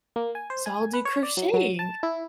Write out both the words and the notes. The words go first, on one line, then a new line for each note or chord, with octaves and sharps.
so I'll do crocheting."
A#3
G#5
C5
G#5
B4
C#5
D5
F#3
F#3
A5
E4